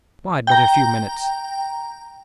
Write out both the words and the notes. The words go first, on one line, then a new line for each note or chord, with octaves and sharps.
Bide but a few minutes.
G5 A#5